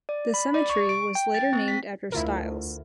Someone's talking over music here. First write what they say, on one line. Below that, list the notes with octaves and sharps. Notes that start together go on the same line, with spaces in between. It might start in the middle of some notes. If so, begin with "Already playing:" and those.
The cemetery was later named after Stiles.
D5
B5
D5
C#6
D7
G5
A6
C4
B6
D2 E4 F4 A#4